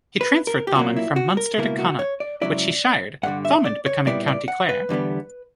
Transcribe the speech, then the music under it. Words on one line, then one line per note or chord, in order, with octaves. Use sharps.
He transferred Thomond from Munster to Connaught, which he shired, Thomond becoming County Clare.
B4
A#4
G4
A#2 F#3 A#3 F#4
E4
F#4
A#4
C#2 B2 A#3 E4 A#4
F#4
C#5
D5
C#2 C#3 F#3 C#4 E4 D5
G2 D3 G3 F#5
E5
D5
C#5
A#2 G3 B3 E4 D5
D5
F#5
B4
E2 D3 G3 B3